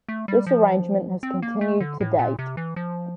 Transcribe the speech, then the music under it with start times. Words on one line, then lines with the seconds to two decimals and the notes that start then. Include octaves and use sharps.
This arrangement has continued to date.
0.09 A3
0.28 G3
0.47 F3
1.23 C4
1.42 A#3
1.61 A3
1.80 D3
2.01 A2
2.19 A#2
2.39 C3
2.57 E3
2.76 F3